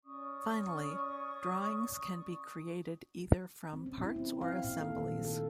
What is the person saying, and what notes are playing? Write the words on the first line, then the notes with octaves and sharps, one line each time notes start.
Finally, drawings can be created either from parts or assemblies.
C#4 D5 C#6 D#6
C4
C#4
E4
C4
F5
A#2
A4
D#3
A4